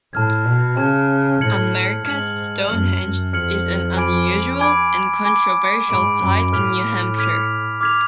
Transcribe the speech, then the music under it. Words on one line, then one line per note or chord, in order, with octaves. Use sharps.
America's Stonehenge is an unusual and controversial site in New Hampshire.
A2 A5 F6 G#6
B2
C#3 A5 F6 G#6
A2 F6 G#6 C#7 F#7
G#2 F6 G#6 C#7 F#7
F#2 F6 G#6 C#7 F#7
F#2
F2 F6 G#6 C#7 F#7
G#5 B5 D6 G#6 D7
G#5 B5 D6 G#6 D7
G#5 B5 D6 G#6 D7
G#2 G#5 B5 D6 G#6 D7
F#2
A2 D6 F6 G#6 B6 F7
D6 F6 G#6 B6 F7
D6 F6 G#6 B6 F7